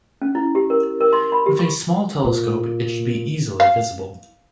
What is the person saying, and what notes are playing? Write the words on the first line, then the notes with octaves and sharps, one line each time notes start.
With a small telescope it should be easily visible.
C#4
E4
G4
A#4
A#4
C6
B5
G4
C#6
A#2
F5